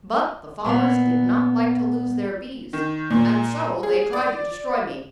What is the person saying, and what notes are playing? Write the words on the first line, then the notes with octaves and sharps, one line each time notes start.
But the farmers did not like to lose their bees and so they tried to destroy me.
A#2 B3 E5 F5
D#3
A#2
G#4
D5